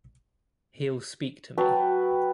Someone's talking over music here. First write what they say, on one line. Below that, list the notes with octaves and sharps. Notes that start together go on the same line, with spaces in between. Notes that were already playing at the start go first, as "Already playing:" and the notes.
He’ll speak to me.
F#3 B4 G5 A5